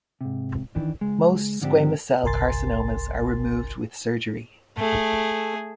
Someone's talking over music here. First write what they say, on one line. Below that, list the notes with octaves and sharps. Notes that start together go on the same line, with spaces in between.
Most squamous cell carcinomas are removed with surgery.
G#2 C3
D#3 E3 D4
C#2 G#3
G#2 D3 F3 C4 D4 G4
G1 C2 A#4 G#5 C6 A6
A3 G#4